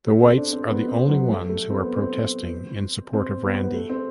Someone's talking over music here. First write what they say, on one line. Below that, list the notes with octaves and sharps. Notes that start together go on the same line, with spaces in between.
The Whites are the only ones who are protesting in support of Randy.
A3
C4
D4
C4
B3
C4
F#3
A3
A3
C4
B3
C4
C4
B3
B3
A3
C4